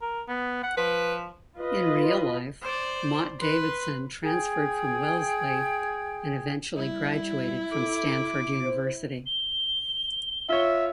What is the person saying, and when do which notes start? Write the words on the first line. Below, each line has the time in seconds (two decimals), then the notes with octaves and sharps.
In real life, Mott Davidson transferred from Wellesley and eventually graduated from Stanford University.
0.02 A#4
0.28 B3
0.64 F#5
0.77 F3 B4
1.56 F4 B4 D#5
2.63 C5 D5
3.40 B4 C6
4.24 G#4 G5 G#6
6.76 G3 E4
7.71 A4 D6
8.63 C5
9.26 G7
10.49 F4 C#5 E5